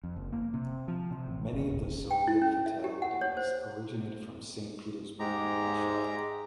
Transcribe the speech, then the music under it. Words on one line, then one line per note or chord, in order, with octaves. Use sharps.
Many of the Soviet fatalities originated from Saint Petersburg in Russia.
F2
F#1
A#3
C3
F3
C3
A1
G1
D1
G5
E4
C#4
E5
G4
F#5
C#5
C5
G#2 G#3 G4 A#5